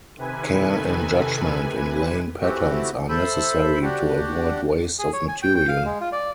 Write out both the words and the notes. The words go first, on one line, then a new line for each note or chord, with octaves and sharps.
Care and judgment in laying patterns are necessary to avoid waste of material.
C3 D#3 A4 B4 G#5
E3 A3 C4 F#4 G4
A4 C5 E5 B5
D4 F#4 G4
G#4
C#5
G#5
G5
G5
F5
G#3
F4
D5